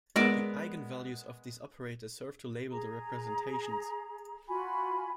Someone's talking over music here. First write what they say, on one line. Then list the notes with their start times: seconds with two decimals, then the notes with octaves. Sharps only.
The eigenvalues of these operators serve to label the representations.
0.16 G#3 B3 A#4 D5 E5
2.71 G#4 A#5
4.48 F4 F#4 G#5 B5